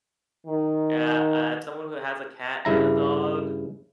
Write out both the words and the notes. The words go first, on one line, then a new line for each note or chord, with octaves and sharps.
Yeah, uh, someone who has a cat and a dog.
D#3
G2 C#3 E4 A#5